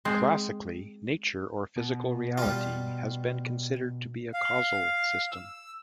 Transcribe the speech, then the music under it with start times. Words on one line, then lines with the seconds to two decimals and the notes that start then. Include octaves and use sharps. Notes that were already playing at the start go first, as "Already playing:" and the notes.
Classically, nature or physical reality has been considered to be a causal system.
0.05 G#3 C4
1.76 B2
2.38 G3 F4
4.34 F5
5.31 E6